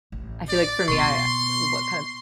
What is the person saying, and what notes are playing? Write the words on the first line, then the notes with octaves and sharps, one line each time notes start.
I feel like for me, I what kind of m
A1
D5
B2 B3 C6 C#6